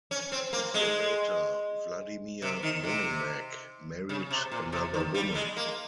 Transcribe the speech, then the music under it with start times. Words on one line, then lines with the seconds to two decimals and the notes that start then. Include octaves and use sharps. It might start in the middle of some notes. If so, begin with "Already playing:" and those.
A year later Vladimir Monomakh married another woman.
0.11 C#4
0.32 C4
0.53 A#3
0.74 G#3
2.42 C3
2.63 D#3
2.84 C3
4.09 C#3
4.31 C3
4.52 A#2
4.72 C3
4.94 D#3
5.14 G3
5.35 G#3
5.57 A#3